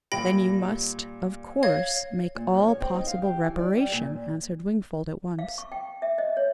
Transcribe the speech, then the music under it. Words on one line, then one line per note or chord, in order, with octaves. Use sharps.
"Then you must of course make all possible reparation," answered Wingfold at once.
A#2 G3 G5 B5 A#6
C#5 F5 G#6
A#2
F#2
C#5
C4
D#4
F5
G4
E3
D5
G3
A#2
F5
C#6
G5
E5
D#5
C#5